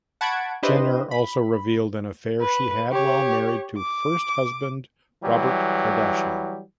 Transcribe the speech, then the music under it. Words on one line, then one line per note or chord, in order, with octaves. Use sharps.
Jenner also revealed an affair she had while married to first husband Robert Kardashian.
F#5 A5 B5 C#6 G#6 D7
D4 E4 G4 B4 C5 D#5
B5
B4
G4 C#5
D6
E3 F#3 G3